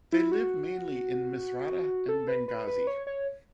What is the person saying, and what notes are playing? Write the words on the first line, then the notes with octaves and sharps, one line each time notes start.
They live mainly in Misrata and Benghazi.
E4
F#4
A4
B4
B4
B4
C#5
C#5